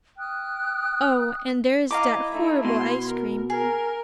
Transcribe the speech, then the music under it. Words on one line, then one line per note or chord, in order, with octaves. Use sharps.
Oh, and there is that horrible ice-cream!
G5 D#6 F6 F#6
E4 D#5 F5 A#5 D6
A3 D#4
B2 C6
A#4
G#4 A#4